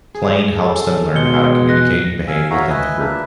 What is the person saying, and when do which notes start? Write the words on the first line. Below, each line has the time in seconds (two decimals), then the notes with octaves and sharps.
Playing helps them learn how to communicate and behave within the group.
0.15 G#4
0.56 A4
1.16 C#2 B2 G#3 C#7 G7
1.69 F#6 A#6
2.28 F5 G#5 E6
2.50 F#4 C#5 E5 F5 A#5
2.70 B4 D#5 E5 G#5
3.00 A#3 D4 B4 E5